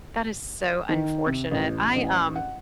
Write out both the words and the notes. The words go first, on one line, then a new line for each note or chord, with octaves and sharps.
That is so unfortunate. I, um,
D#3
C3
A1
A1
F#5